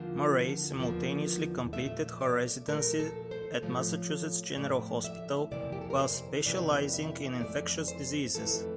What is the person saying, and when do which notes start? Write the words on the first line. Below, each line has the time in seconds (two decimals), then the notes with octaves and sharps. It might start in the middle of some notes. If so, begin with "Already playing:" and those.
Murray simultaneously completed her residency at Massachusetts General Hospital while specialising in infectious diseases.
Already playing: E2 D3 F3 A#3 F4
0.80 E2 D3 F3 A#3
1.73 A#2 F3 A3 E5
2.21 D5
2.68 A#2 F3 A3 A#4
3.00 A4
3.31 C5
3.62 A2 F3 A3
4.57 A2 F3 A3 D5
5.04 E5
5.51 F2 C3 E3 A#3 D5
5.72 G4
5.81 A4
5.90 A#4
5.98 C5
6.46 F2 C3 E3 A#3 D5
6.93 E5
7.41 F2 E3 A3 D5
7.88 C5
8.35 F2 E3 A3 A4